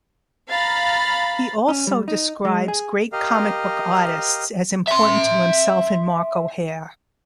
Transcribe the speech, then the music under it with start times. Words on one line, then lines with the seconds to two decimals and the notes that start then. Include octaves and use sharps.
He also describes "great comic book artists" as important to himself and Mark O'Hare.
0.49 F5 A#5 B5 A6
1.68 C#4
1.87 G3
2.08 D#4
2.45 G#3
2.68 G#4
3.12 G4 A#4 D#5 F5
4.88 E5 C6